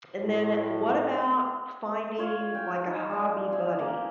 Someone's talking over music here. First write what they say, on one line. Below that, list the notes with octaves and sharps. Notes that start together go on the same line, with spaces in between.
And then, eh, what about finding like a hobby buddy?
A2
F4 C#5
G5 G#5
D#4
D5 A5
C5 E5 G#5
A#3